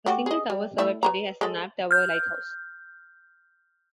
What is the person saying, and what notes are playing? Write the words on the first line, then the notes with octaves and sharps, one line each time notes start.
A single tower survived today as the Nab Tower lighthouse.
A3 F#4 G4
G#4 D#5
G3
A3 E4 E5
B4 C#5 A#5
G#3 A4
F6 G6